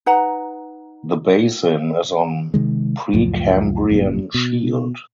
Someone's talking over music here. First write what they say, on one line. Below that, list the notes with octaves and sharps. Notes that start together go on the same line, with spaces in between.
The basin is on Precambrian shield.
D#4 B4 F#5 A#5
C3 D#3 G#3
C#2 F#2 A2 F3
G1 F#2 A#2
B2